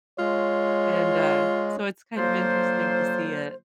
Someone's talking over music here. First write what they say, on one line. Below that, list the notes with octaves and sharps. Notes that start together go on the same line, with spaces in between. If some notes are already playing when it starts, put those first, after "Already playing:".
And, uh, so it's kind of interesting to see it.
G#3 F4 C#5
D3 F3 F#3 A#3 F4 C5